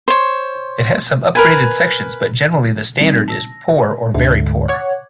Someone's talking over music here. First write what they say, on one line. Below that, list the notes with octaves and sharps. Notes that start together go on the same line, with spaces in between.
It has some upgraded sections, but generally the standard is poor or very poor.
C5 C#5
A#4 B4 G#5
G3 C4 D#4
A5 E6 A#6
D2 G#2 D3 E5
C#5 F#5 D6 G#6